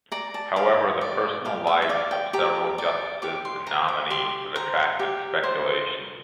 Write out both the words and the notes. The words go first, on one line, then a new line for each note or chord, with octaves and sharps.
However, the personal lives of several justices and nominees have attracted speculation.
D5 A#5
A5
G4 F5
D5
G4 F5
E5
E5
D5 F5
G5
G4 A#5
D5
G4 D6
C6
C5 A#5
D6
G4 C6
C5 A#5
G4
C5